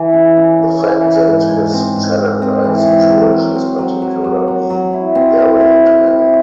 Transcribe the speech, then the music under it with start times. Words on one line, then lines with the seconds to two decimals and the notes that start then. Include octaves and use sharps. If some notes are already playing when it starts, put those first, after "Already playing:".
The fact that his challenger is Jewish is particularly galling to him.
Already playing: E3
0.13 C#3
0.37 C#3
0.58 C#3
0.82 E3
1.04 C#3
1.28 G#2
1.50 G#2
1.73 C4
1.96 G#2
2.19 C4
2.42 C4
2.64 E3
2.87 C4
3.10 F#3
3.33 F#3
3.56 C4
3.78 F#3
4.02 F#3
4.24 F#3
4.48 F#3
4.70 F#3
4.93 E4
5.15 C4
5.39 E4
5.61 C4
5.84 C4
6.07 E4